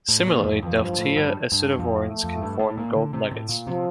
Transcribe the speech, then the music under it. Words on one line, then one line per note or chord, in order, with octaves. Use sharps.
Similarly, Delftia acidovorans can form gold nuggets.
A2
G3
A#2
E3
F2 F3
F2 E3
G2 F3
G2
A2
G2
G2
F2
A3
F2
G2
A2
A#2
D3
C3
A2
A#2
C3 F3